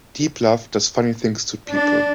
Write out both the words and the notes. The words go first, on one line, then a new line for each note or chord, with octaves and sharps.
Deep love does funny things to people'.
D4